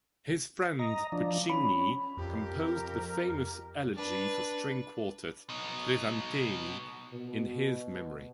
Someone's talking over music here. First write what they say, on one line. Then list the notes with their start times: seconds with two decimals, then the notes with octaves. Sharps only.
His friend Puccini composed the famous elegy for string quartet "Crisantemi" in his memory.
0.79 D#5 A#5
1.12 F3 D4
1.50 C#4 B5
2.17 F2 G4 A#4
3.95 D4 B4
5.49 B2 D#4
7.14 B2